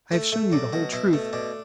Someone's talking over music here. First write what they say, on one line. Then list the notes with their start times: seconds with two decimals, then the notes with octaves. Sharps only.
I have shown you the whole truth!
0.12 A3 E5
0.32 A3 E5
0.52 F#3 D5
0.73 B2 F#4
0.93 B2 E4
1.13 A3
1.33 B2 D4